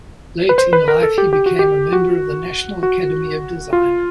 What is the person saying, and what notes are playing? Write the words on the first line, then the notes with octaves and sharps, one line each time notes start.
Late in life, he became a member of the National Academy of Design.
B4
C5
B4
A#4
A4
G4
G4
F#4
G4
F#4
F#4
F4